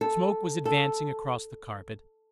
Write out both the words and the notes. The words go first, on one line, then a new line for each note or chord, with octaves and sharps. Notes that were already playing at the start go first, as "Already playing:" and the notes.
Smoke was advancing across the carpet.
A4
A4